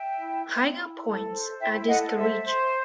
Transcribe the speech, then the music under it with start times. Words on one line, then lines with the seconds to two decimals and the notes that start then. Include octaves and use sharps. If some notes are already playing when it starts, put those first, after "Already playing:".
Higher points are discouraged.
Already playing: E5 G5
0.18 E4
0.47 E4
0.75 E4
1.03 A4
1.32 C5
1.60 E4 E5 G5
1.78 E5
1.88 A4 D#5 F#5
2.16 C5 E5
2.44 C5